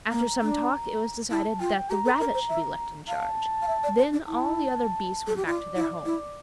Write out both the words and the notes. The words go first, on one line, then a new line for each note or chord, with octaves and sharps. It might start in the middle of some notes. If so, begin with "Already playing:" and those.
After some talk it was decided that the rabbit should be left in charge; then all the other beasts went back to their homes.
A#3 A#5
D4
E4 A5
F4 G5
G4 A#5
A4
A#4
C5
E5
F5 A5
F5
E5
D5
C5
D4
E4 A5
A4
G4
F4 D5
E4
E4